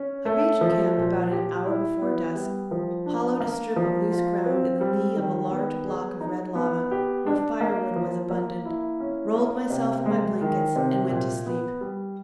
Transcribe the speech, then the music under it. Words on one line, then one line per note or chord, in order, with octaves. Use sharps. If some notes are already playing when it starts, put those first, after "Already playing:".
I reached camp about an hour before dusk, hollowed a strip of loose ground in the lee of a large block of red lava, where firewood was abundant, rolled myself in my blankets, and went to sleep.
Already playing: C#4
A3
F3
A#2
G4
E4
B3
G3
F3
D4
A#3
F3
F4
C4
G3
D#3
B3
G#4
D#4
B3
G4
D4
A#3
F3
A#3
E4
C#4
A#3
C3
G#3
D#3
C3
A#2
B3
G3